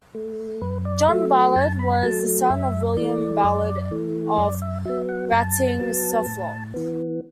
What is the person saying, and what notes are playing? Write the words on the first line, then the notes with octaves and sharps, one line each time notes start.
John Ballard was the son of William Ballard of Wratting, Suffolk.
A3
F#2 B4
D5
F#3 A3 E5
F#2 A5
B5
F#3 A3 A5
F#2 E5
E3 A3 D5
F#2
E3 A3
F#2 D5
E5
F#3 B3 E5
F#5
F#2 A5
F#3 B3
A2
E3 B3